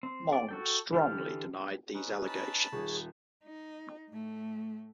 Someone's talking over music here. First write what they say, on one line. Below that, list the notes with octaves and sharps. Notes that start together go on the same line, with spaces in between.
Mong strongly denied these allegations.
C4
D5
F#4 A4 G5
D3 E3 G4 A4 F6
C#4 D#4 B4
A5 B5
D#1 G#4 C#5
D#4
A2 A3